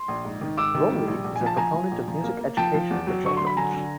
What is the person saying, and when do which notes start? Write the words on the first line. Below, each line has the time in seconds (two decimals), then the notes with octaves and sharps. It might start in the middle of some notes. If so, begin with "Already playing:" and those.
Rolie is a proponent of music education for children.
Already playing: C6
0.08 A#1
0.25 G#2
0.41 D#3
0.57 G#2 D6 E6
0.75 D#3
0.91 G3
1.08 A#1
1.24 A#1
1.36 G#5
1.41 F3
1.46 A5
1.57 F3 G#5 A#5
1.74 F3
1.91 A#1
2.08 F3
2.24 A#3
2.41 A#3
2.57 F3 G5 A5
2.74 F3
2.91 E2
3.07 F#3
3.24 D3 C#6
3.37 F#3 C6
3.47 B5
3.57 D3 G#5 A#5
3.74 D3